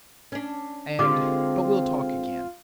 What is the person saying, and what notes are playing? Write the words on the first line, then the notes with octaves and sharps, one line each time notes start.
And--but we'll talk again.
C#4 D4
D3 G#3 C4 F4 G4 D6